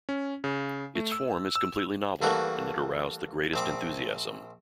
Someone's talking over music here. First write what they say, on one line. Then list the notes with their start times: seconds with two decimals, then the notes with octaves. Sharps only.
Its form is completely novel and it aroused the greatest enthusiasm.
0.09 C#4
0.44 C#3
0.95 A3
1.12 E6
1.55 E6
2.22 G2 E3 A3 A#3 F#4
3.54 A#1 C4 D6